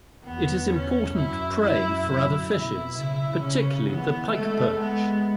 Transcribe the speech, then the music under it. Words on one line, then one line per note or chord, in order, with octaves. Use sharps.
It is important prey for other fishes, particularly the pikeperch.
E2 B3
C#4
F#2 E4
E4
F#2 E4
B2 E4
C#3 E4
C#3 C#4
E3 B3
G#3 A3
B3